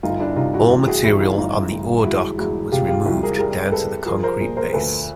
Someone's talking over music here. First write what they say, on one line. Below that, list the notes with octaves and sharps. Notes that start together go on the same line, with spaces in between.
All material on the ore dock was removed down to the concrete base.
G1 D#4 F4
D4 E4
C3 D#4 F4
E4 F#4
A1 E4 F#4
F#4 G#4
A1 E4 F#4
D#4 F4
G1 D#4 F4
G1
E1 E4 F#4
E1 E4 F#4
C3 F4 G4
F4 G4
C2 E4 F#4
G#4 A#4
G3 G#4 A#4
G3 A4 B4
F3 G#4 A#4
A#4 C5
A#2
A#4 C5
D2 A4 B4